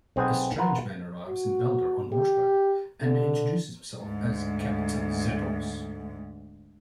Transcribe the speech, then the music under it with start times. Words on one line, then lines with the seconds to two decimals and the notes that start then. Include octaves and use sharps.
A strange man arrives in Belder on horseback, and introduces himself as Captain Zeppos.
0.16 B1 C4 G#4 B4 F#5 G#5
0.58 F4 A#4 B4 F#5
1.27 F#4
2.13 G4
3.01 D3
4.02 D2 G#2